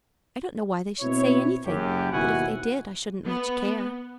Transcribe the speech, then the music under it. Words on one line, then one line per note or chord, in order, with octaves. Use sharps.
"I don't know why they should say anything, but if they did I shouldn't much care."
B2 C4 E4 C#5
F#1 F#2 G4
D#2 B2 E4 F#4 F#5 G#5
B3